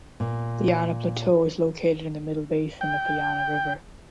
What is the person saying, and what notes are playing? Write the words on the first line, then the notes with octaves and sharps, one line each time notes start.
The Yana Plateau is located in the middle basin of the Yana River.
A#2
G5